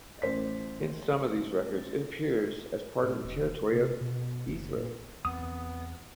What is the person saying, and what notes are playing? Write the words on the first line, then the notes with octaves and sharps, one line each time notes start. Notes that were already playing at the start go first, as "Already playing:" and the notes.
In some of these records it appears as part of the territory of Erythrae.
A1 C5 B6
A2
E1
C3
B2
F#1
A#2
E2 B3 C4 D#6